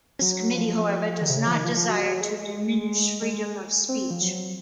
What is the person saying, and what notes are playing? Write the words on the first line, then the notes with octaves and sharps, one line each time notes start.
This committee, however, does not desire to diminish freedom of speech.
F#3
F3
D#3
C3
C#3
F3
D#3
F3
F3
F#3
G#3
G#3
C4
F3
F#3